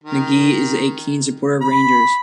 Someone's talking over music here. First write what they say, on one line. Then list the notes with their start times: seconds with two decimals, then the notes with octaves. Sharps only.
McGee is a keen supporter of Rangers.
0.04 D#3
1.61 B5